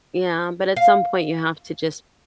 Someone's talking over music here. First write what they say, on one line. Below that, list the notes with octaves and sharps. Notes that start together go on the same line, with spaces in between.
Yeah, but at some point, you have to just
F5